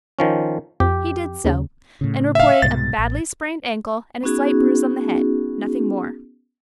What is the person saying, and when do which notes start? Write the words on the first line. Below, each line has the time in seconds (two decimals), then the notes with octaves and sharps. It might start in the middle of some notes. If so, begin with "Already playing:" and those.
He did so, and reported a badly sprained ankle, and a slight bruise on the head; nothing more.
0.19 D#3 F3 C#4
0.80 F2 G4
1.45 D#2 C#3
2.01 A2 C#3
2.35 E5 F5
2.62 C2 G#2 B2 A6
2.98 A1
4.23 B3 C#4 D#4 F#4 G#4